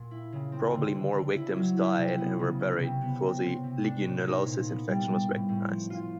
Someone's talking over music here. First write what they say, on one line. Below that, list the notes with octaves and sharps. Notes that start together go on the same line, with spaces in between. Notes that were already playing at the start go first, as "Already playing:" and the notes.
Probably more victims died and were buried before the legionellosis infection was recognized.
Already playing: A#2
E4
C#3
C4
D3
D3
D3
E4
F#3
E4
C3
B3
C#3
C#4
C3
B3
C3
C4
C3
D4
A2
D#4
A#2
B3
G3
G3
A2
A2
F3
F4